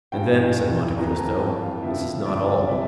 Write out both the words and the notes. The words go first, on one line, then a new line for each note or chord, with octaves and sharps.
"And then," said Monte Cristo, "this is not all."
G2 E3 G5
F2 E3 A#5
A5
G5
F5
F2 D3 F3 E5
D5
C3 E3 E5